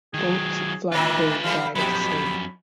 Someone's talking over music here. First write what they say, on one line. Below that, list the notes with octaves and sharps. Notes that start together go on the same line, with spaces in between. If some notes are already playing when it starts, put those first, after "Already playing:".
Both flight crew died at the scene.
D#3 F#3 G#4
A2 D#3 E3 D4 F4 B4
E3 G3 A3 F5
F2 A#2 F#3 G4 B5